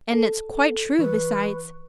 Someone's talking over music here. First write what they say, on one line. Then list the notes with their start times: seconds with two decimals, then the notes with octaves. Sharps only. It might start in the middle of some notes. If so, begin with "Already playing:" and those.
And it's quite true besides.
0.12 A4
0.99 E3 B4 C#6